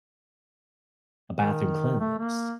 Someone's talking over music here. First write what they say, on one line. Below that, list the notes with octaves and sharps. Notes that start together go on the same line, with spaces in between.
a bathroom cleanliness?
D#3
A3
A#3